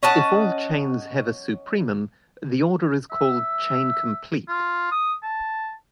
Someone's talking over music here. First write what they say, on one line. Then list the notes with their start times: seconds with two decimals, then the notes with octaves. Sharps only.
If all chains have a supremum, the order is called chain complete.
0.03 C#4 D#5 F#5 A5
3.11 E5
4.48 F4
4.91 D#6
5.23 A5